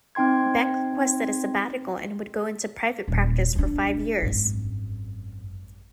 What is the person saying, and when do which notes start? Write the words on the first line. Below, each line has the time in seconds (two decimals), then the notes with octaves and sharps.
Beck requested a sabbatical and would go into private practice for five years.
0.15 C4 D#4 G5 C6 G#6
3.08 D#1
3.55 B3 D4
4.22 G#1 F#2